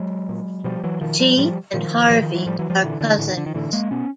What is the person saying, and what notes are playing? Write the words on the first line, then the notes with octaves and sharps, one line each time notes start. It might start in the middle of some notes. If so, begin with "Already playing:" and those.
She and Harvey are cousins.
Already playing: F#3 G#3
A#2
B2 F3 G3
E3 F#3
B2 D#3 F3
F3 G3
A2 F3 G3
A#2 D#3 F3
A2 E3 F#3
D#3 F3
E3 F#3
A2 F3 G3
E3 F#3
F3 G3
A#2 D3 E3
D3 E3
A2 D3 E3
D#3
D3
D#3
A2 D3 E3
G#3 A#3
B2 B3 C#4